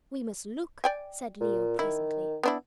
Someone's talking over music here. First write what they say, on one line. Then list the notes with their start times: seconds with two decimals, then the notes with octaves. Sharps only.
"We must look," said Leo presently.
0.84 D5 G5 G#5
1.40 A#2
1.79 D#3 E4
2.43 B3 D4 E4